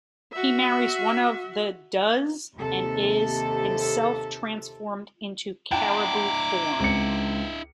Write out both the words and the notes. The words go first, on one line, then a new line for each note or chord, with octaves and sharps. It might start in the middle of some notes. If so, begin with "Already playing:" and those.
He marries one of the does, and is himself transformed into caribou form.
F#4 E5
D#2 C3 A4
D4 E4 F#5 G5 A5 A#5 D6
C#2 C4 C#7